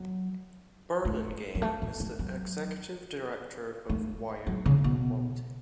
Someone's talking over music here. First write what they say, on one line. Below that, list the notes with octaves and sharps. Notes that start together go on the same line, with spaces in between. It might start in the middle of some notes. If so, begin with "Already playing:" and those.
Burlingame is the executive director of Wyoming Equality.
Already playing: F#3
A3
F#3
A3
F#3
A3
F#3
A3
F#3
C#3
B2